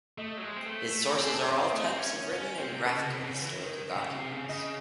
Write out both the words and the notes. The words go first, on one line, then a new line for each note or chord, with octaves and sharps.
His sources are all types of written and graphical historical documents.
A3 D#5
F#3
G#3
C4
A3
A3
C4
G#4
A4
C#4
C5
C#5
C4 D#5
A3
C4
C#4
C#4
C4
C3
C#3
C3
C#3
E3
D#3
C#3
C3
C#3
C#3 D#5